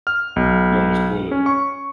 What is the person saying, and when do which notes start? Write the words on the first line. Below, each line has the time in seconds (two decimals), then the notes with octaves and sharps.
Don't wanna spoil it.
0.07 F6
0.36 B1
1.31 C#4
1.46 C#6